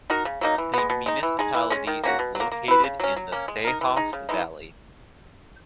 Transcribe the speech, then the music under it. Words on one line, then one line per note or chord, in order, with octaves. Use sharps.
The municipality is located in the Seehof valley.
D#4 F#4 A#4
C#3
F#3 A#3 D#4
E3
G#3 B3
B2
G#3 D#4
E3
G#3 D#4 G#4
E3
G#3 C#4
D#3
A#3 C#4 F#4
B2
F#3
A#3
A#3
E4 B4
C#3
F#3 C#4
F#3
A#3 C#4
G#3
D#4 A#4
E3
G#3 D#4
C#3
E3 G#3 D#4